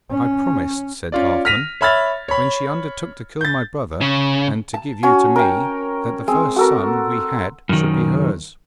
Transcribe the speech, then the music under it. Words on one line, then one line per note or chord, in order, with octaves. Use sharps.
'I promised,' said Halfman, 'when she undertook to kill my brother and to give you to me, that the first son we had should be hers.'
C#4
C#4 F4 D5
F6 A#6 B6 D#7 F7
C#5 E5 B5 F6 G#6 A6
C#5 B5
G6 A6
C#3
A5
C#4 F#4 C#5
A#4 G5
G#3 C4
F#4 A4 A#4
F#2 D#3